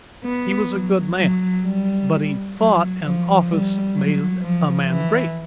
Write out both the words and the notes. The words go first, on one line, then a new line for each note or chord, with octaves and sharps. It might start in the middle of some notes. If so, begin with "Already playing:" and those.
He was a good man, but he thought an office made a man great.
B3
F#3
F#3
G3
F#3
F3
G3
F#3
F3
E3